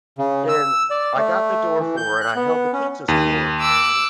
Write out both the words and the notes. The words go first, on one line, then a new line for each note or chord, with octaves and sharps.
and I got the door for her and I held the pizzas for her
C#3
E6
D5
A3
E3
G6
F#6
B3
C#4
D#2
D6 E6 F#6